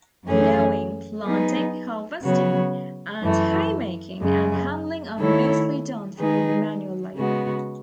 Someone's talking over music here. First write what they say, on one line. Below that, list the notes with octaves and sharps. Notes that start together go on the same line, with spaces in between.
Ploughing, planting, harvesting, and hay making and handling are mostly done through manual labour.
F#2 E3 A3 C#4 G#4
F#3 B3 D#4 G#4 B4
C#3 F#3 B3 F#4 C#5
F#2 E3 A3
F#2 C#3 G#3
D#3 A3 E4 A4 C#5
D#3 G#3 D#4 G#4 B4
C#3 G#3 B3 F#4